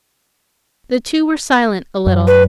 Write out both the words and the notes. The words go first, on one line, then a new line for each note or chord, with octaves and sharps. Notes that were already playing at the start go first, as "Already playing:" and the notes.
The two were silent a little.
F#2
B4